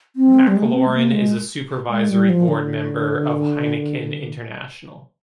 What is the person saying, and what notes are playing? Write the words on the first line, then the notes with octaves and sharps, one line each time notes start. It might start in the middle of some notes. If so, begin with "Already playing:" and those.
MacLaurin is a supervisory board member of Heineken International.
C4
G3
G#3
A#3
C4
G#3
A#3
G#3
G#3
G3
F3
D3